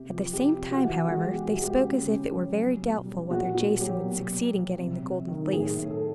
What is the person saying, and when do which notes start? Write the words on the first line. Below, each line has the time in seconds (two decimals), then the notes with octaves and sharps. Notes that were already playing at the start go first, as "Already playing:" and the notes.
At the same time, however, they spoke as if it were very doubtful whether Jason would succeed in getting the Golden Fleece.
Already playing: C3 G4
0.10 F3
0.33 C3 G4
0.58 C3
0.71 F#4
0.84 E3
1.08 G#3 F#4
1.27 G4
1.32 B2
1.46 F#4
1.58 G#3
1.63 G4
1.83 C#3
2.06 C#3
2.32 F#3
2.56 G3
2.81 B2
3.06 G3
3.30 A#2 F#4
3.55 A#2 F#4
3.80 F#3 G4
4.04 B2
4.29 B2
4.54 F#3
4.79 C3
5.03 C3
5.28 D#3
5.52 A2 G#4
5.78 A2
5.90 A4